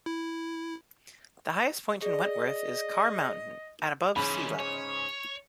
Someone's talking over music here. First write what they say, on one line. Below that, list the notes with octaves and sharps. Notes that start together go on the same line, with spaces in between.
The highest point in Wentworth is Carr Mountain, at above sea level.
E4
G#4 D5 D#5
G#2 C#3 E3 F#3 C#4 B5
C#5